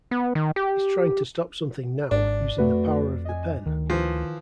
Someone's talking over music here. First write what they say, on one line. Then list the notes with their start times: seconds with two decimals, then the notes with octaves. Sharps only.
He's trying to stop something now, using the power of the pen.
0.11 B3
0.35 D#3
0.56 G4
2.11 G#1 G#2 D4
2.58 F2 A3 F#4 B4
3.25 D#5 G#5
3.66 D2 D#3
3.90 E3 F3